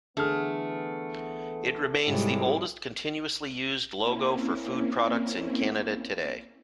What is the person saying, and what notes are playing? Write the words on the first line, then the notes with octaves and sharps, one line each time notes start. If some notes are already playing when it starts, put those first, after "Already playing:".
It remains the oldest continuously used logo for food products in Canada today.
D3 E3 A3 B3 G#4 F6
G#2 C3 F#3 G3 E4 G4
A#3 C4 C#4 E4